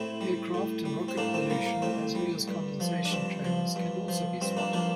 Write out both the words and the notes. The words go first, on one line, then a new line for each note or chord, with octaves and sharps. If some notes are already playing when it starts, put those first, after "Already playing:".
Aircraft and rocket pollution, as well as condensation trails, can also be spotted.
Already playing: A2 C4 E4
G3
A2
G3
C4
A2 A#3 D4
C4
G3 A#3
A#3
A2 C4
G3
G2
F3
D4
G2 C4
F3
G2
F3
G2 C4
A#3 D4
F3 A#3 D4